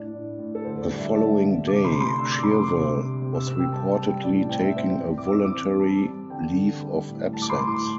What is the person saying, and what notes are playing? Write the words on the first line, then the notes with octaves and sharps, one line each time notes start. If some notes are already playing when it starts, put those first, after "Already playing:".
The following day, Shirvell was reportedly taking a voluntary leave of absence.
Already playing: A2 D4 D5
A2
A2
A4
D3 C5
D5
G3
E5
G3 A5
D3
C3 D6
C6
A3
C6
D4 E6
D6
D4 C6
D6
C3
C3
C3
E6
C4 E6
G5
G3 A5
A5
G3
G5
A2 D5
C4 G5
E5
C4 D5
E3
D6
E3 E6
D6
C4
G3 A5
G3
D3 G5
D3
G3
A2
A2 A5
D6
C6
A2
D6